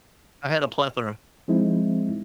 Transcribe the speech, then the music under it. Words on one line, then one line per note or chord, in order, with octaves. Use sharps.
I had a plethora.
F3 G#3 C4 D#4 E4